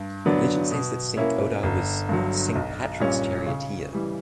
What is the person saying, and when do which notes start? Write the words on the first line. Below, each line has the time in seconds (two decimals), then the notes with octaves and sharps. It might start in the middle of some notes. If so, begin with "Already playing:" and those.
Legend says that Saint Odhar was Saint Patrick's charioteer.
Already playing: G2
0.25 D3 F#3 B3 D4
0.71 B2
1.17 A#3 C#4 E4
1.63 G1
2.09 G2 D3 F#3
2.55 B1
3.00 A#2 G3 C#4
3.46 C#3
3.93 E3 G3